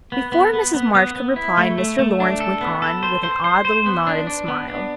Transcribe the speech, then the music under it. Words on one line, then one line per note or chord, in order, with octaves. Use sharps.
Before Mrs. March could reply, Mr. Laurence went on with an odd little nod and smile...
B3
B3
B3
B3
B3
B3
E4
A3
A3
A3
D4
A4
B3
A4
C5
C5
C5
C5
B3
D4
D4
B3
D4